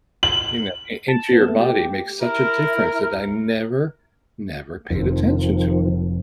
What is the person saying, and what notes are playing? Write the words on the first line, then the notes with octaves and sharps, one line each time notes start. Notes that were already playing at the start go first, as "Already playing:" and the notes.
you know i into your body makes such a difference that I never, never paid attention to it.
F#7
A5
B3
A3
G4
E4 A#4
F1 F2 D#3 F3